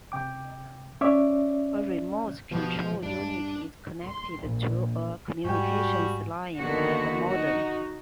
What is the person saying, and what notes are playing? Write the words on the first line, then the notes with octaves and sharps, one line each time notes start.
A "remote" control unit is connected to a communications line by a modem.
C3 G5 D6
C#4 C#5 D5 E5 D6
B2 F3 B3 G4
G2 D4
C6
A#1
G#2 G3 F#4 G5 G#5
D3 D#3 F3 A#3 B3 F#4
D#4 F#4